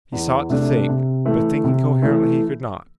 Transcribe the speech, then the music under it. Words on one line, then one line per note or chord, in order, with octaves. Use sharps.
He sought to think, but thinking coherently he could not.
E2
C3 A3 D4
C3
E3 A3
C3
E3 A3